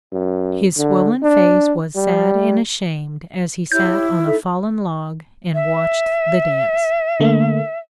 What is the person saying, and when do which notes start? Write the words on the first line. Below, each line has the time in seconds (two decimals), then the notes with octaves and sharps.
His swollen face was sad and ashamed as he sat on a fallen log and watched the dance.
0.13 F#2
0.77 D3
1.23 D4
1.96 G3
3.72 E4 G4 C#5 G6
4.25 D#4 A4 E5
5.54 E5
7.20 D3 A3 A#3